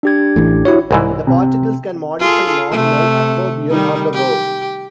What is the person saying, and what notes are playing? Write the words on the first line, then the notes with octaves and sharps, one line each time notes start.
The particles can modify nominal, adverbial or the verb.
D4 G4 G#6
A1 E3 A3
E4 F#4 C#5
C2 G#2 E3
C3
F4 G#4 A4
C3 A3
D#3 G3 D#4
G4